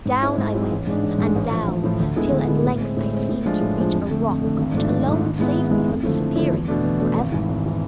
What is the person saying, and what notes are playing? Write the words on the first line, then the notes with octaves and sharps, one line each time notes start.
Down I went, and down, till at length I seemed to reach a rock which alone saved me from disappearing for ever.
G#2
G#3 C4 E4
G#2
G#3 C4 E4
A1
G#2 G#3 D4
A1
G#2 G#3 D4
A1
A2 F3
A1
A2 F3
D2
D3 G#3 B3 E4
D2
D3 G#3 B3 E4
A2
G#3 C4
A2
G#3 C4
A2
F3 G#3 D4 F4
A2
F3 G#3 D4 F4
F2
D3 A3
F2
D3 A3
G#1
G#2 F3 A3 D4
G#1
G#2 F3 A3 D4
G#1
G#2 G#3 B3 E4
G#1
G#2 G#3 B3 E4
F2
D3 F3 A3 E4
F2
D3 F3 A3 E4
E2
B2 A3 D4
E2
B2 A3 D4
G#1
G#2 E3
G#1
E3